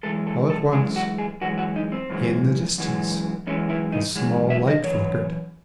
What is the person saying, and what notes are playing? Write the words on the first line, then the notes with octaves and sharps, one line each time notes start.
All at once in the distance a small light flickered.
F#2 E3 G#3 A4
A4
A4
F#2 E3 G#3 G#4
F#4
G#4
F#2 E3 G#3 F#4
F#4
D#4
C4
F#2 E3 G#3
F#2 E3 G#3
F#2 E3 G#3 C#4
E4
D#4
F#2 E3 G#3
E5
D#5
F#2 E3 C#5